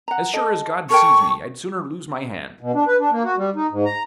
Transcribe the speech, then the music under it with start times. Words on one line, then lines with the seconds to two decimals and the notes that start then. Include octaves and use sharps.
As sure as God sees me, I'd sooner lose my hand.
0.08 F#5 A#5
0.33 A4 D#5
0.90 A4 A#4 G5 C#6
2.61 B2
2.75 D4
2.87 B4
3.00 D4
3.12 A#3
3.24 F#4
3.38 G3
3.55 D#4
3.71 G#2
3.86 A#5